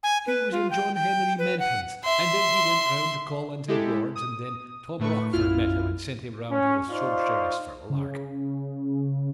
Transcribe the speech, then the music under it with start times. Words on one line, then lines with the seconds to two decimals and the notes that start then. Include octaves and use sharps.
He was in John Henry Menton's and then he went round to Collis and Ward's and then Tom Rochford met him and sent him round to the subsheriff's for a lark.
0.03 G#5
0.27 B4
0.52 F4
0.71 G5
0.95 G5
1.39 B4
1.59 F#5
2.04 E5 C6
3.68 G#3 E4 G4 A4
4.16 D#6
4.99 A2 A3 B4 C#6
5.33 B1 F#2 E4 F4 F6
6.51 C#4
6.89 D#4 F4 C5 D5 C#6
7.90 C#3